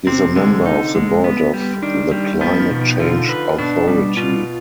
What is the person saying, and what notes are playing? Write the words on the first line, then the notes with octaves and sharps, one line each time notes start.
He is member of the board of the Climate Change Authority.
C3 C4
D3 G#3
D#4
G#3
B3
G3
D#3 D4
G3
F3 B3
D#3
B2
D#3
D3 F4
B4
B2 D4
G3
B2 F4